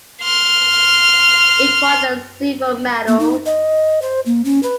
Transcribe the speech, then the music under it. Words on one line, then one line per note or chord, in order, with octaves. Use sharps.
It won the silver medal.
C6 F6
A#3
D#4
D#5
C5
A#3
C#4
B4